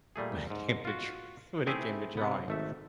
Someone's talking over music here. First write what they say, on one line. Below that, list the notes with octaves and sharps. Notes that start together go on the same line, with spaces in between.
when it came to dr when it came to drawing.
A#2 G3 A3 G#4
G#2
F4 F#4
A3 C4 E4 G4 G#4 B4
C3 B3
G#1 A3 E5